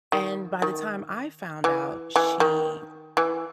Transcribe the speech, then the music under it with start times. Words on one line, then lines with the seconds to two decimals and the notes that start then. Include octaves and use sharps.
And by the time I found out she
0.12 D#3
0.62 D#3
1.64 E3
2.16 E3
2.40 D#3
3.17 E3